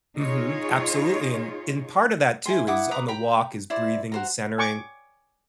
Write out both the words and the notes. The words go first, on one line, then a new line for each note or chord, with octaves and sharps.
Mhm. Absolutely. And and part of that, too, is on the walk is breathing and centering.
D#4 F4 G#4 C#5
E4 A4 G#5 C6
E4 F#5 D6 D#6
B4 A#5 D6 D#6
G5 A#5 B5
E4 C5 D5
F#4 C5 A#5
G#5 C#6 D6